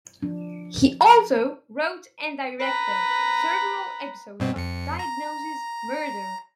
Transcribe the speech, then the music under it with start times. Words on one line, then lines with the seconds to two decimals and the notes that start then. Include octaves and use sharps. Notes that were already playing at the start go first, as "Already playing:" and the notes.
He also wrote and directed several episodes of "Diagnosis: Murder".
0.23 F3 D4
2.60 B4 A#5
4.40 G2 B2 C4
4.56 F2 C#7
4.99 A#5